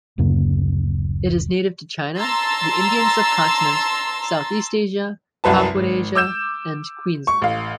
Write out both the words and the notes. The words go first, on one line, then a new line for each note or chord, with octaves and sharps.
It is native to China, the Indian Subcontinent, Southeast Asia, Papuasia, and Queensland.
D1 F#2 C#3 A#3
A5 A#5 C6 E6 A6
C2 F#2 B4 A5
G#1
D6 E6 G6 E7
C#6
A1 F5